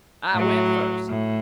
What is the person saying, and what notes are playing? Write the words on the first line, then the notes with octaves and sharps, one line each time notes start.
I went first.
A2 F#3
A2